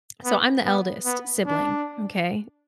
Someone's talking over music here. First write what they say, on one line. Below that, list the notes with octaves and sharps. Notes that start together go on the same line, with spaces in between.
so I'm the eldest sibling, okay?
B3
B3
B3
D4